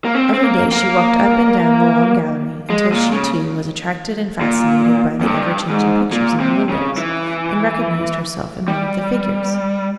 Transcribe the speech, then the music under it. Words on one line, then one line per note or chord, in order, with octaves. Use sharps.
Every day she walked up and down the long gallery, until she too was attracted and fascinated by the ever-changing pictures in the windows, and recognised herself in one of the figures.
A#3
C4
C4
A#3
A#3
G#3
A#2
C#3
A#2
F2
G2
G#2
A#2
C3
C#3
E3
G3